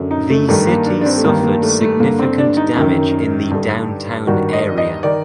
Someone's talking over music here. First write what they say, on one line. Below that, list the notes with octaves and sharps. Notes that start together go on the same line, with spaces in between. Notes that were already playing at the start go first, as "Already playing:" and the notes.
The city suffered significant damage in the downtown area.
Already playing: F#2 D3
D#4
A3
G2 D#3 A3
A#3
D4
D4
C4
A3
G2 D#3 A#3
A#3
A3
A3
G2 D3 A#3
C4
D4
D#4
F#2 D#3
G2 D3
G2 D#3 F#4
D#5
D#5
D#3 D5